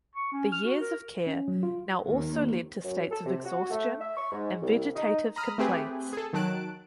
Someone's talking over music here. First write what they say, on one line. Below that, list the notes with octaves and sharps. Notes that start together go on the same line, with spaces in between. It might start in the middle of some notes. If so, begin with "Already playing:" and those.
The years of care now also led to states of exhaustion and vegetative complaints.
C#6
C#4
F6
F#4
A#4
C#4
F#3
F4
D#2
F#2
A4
C3
F#4
A3
E5
C#6
G#2
C2
D#4
A#5 B5 D#6 F6
A3 C4 G4 G#4 B4
G#4 A4
D#3 F#3 A5 F#6 D7